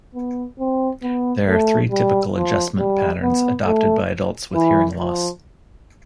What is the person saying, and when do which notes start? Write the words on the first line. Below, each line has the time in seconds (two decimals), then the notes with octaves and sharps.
There are three typical adjustment patterns adopted by adults with hearing loss.
0.15 B3
0.59 C4
1.03 B3
1.47 A3
1.91 G3
2.34 F3
2.78 G3
3.22 B3
3.66 A3
4.54 E3
4.98 F3